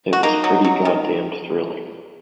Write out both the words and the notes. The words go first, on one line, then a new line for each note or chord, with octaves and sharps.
It was pretty goddamned thrilling.
F#4
A#3 D#4
F#3
F#3
D#3